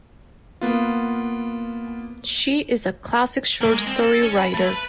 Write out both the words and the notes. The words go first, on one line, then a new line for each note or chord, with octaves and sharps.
She is a classic short story writer.
A#3 B3 F4
A#3
G#3
C4
A4
C#4
B5
A3
B4